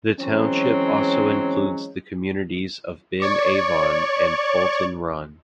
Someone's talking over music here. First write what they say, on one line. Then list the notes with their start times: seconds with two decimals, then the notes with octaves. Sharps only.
The township also includes the communities of Ben Avon and Fulton Run.
0.20 E3 F#3 G#3 C4 C#4
3.20 C#5 D5 C#6